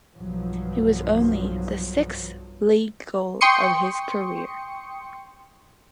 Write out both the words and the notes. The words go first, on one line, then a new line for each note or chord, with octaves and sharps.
It was only the sixth league-goal of his career.
B1 G2 F3 F#3
G5 C6 C#6 D#6 C#7